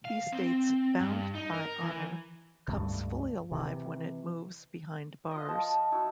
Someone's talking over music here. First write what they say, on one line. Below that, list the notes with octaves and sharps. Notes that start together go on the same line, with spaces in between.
He states "Bound By Honor" comes fully alive when it moves behind bars.
F5
C4
G2
D#4
A#4
E3
C#2 G2 A3
C3 E3
F4 D#5
F3 A5
D#4 E4 F#4